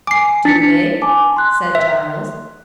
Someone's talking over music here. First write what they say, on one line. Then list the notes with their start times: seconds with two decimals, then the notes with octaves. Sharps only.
"Do they?" said Giles.
0.07 G#5 D6 C7
0.45 D4 A6 B6 C#7
1.02 G#5 A5 D6
1.36 C6 F#6
1.75 E5